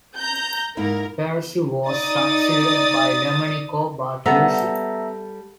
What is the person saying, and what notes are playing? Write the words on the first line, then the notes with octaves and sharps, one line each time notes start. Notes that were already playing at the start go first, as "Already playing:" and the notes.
Perosi was succeeded by Domenico Bartolucci.
A#5 G6
G#2 A#3 E4 A#4
D#4 D5 D#6 A6
G3 B3 A4 E5 A#5